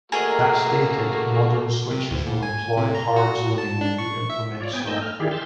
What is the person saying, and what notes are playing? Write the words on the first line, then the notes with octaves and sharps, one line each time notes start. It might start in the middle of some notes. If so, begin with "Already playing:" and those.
That stated, modern switches will employ hard zoning when you implement soft.
A3 A#3 F#4 G#4 A#4 D#5
C3
D2
A#2
G#5
C3
A#5
F#4
A5
D4
C#6
E5
F4 C#5 D5
B3 G5 G#5
A3 D#4 D#5 E6 G6
F6
D#3 E4 G4 G#4 D5
C6 E6 F6 G6 A6